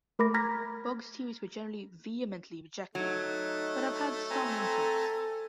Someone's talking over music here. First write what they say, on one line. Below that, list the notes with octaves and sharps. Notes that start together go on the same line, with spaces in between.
Bugge's theories were generally vehemently rejected, but have had some influence.
A3 A#4 B5 D6 A#6
A#5 B5 F6 G#6 A#6 B6
F#3 A3 D#4
C4 A4 G#5 A#5